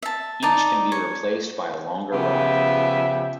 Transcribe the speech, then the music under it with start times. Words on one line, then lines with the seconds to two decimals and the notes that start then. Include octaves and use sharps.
Each can be replaced by a longer ride.
0.02 E5 A5
0.43 D#4 D5 A5
0.92 C#5
2.12 C#3 F3 B3 G4 E5